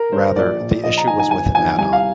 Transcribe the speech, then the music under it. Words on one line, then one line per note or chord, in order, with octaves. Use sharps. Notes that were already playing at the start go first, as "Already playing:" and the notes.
Rather, the issue was with an add-on.
Already playing: A#4
G2 D3 C5
A#1 D5
A#2
A#1 D#5
A#5
G#2 D#3 G#5
G#5
G1 G#5
F2 D#3 G#5
C2 G#5
F5